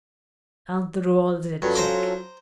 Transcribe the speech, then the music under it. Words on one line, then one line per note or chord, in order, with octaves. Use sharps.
"I'll draw the cheque."
G2 F#3 C#4 F4 A4
C5 A#5 D6